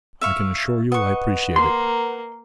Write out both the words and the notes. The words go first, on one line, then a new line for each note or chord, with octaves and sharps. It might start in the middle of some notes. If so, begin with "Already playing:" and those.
I can assure you I appreciate it.
E5 F5 C#6
B4 D#5 F#5 C#6
A#3 C6